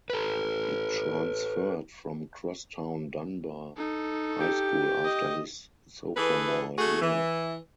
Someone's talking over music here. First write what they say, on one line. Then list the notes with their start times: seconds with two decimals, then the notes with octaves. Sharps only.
He transferred from crosstown Dunbar High School after his sophomore year.
0.10 A4 B4
3.77 D#4 A4
4.41 G4
5.04 D#5
6.17 E3 G#4 A4 B4
6.78 A3 F#4 G#4
7.02 E3